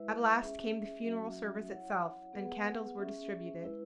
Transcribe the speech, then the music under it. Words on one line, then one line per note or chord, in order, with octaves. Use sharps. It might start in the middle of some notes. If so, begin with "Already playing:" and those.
At last came the funeral service itself and candles were distributed.
Already playing: G#3 E4 B4 E5
C#4 G#4 E5
F#3 C#4 F#4 E5
E4 C#5 F#5
B3 G#4 B4 F#5
C#4 G#4 E5
G#3 E4 B4